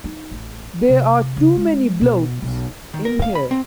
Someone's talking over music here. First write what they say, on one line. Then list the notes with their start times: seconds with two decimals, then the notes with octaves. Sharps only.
There are too many blokes in here.
0.04 D#4
0.31 A1
0.89 C3
1.37 C#3
1.56 G#3
2.01 B2
2.42 B1
2.94 D#3
3.05 A#4
3.22 F5
3.35 B5
3.51 C4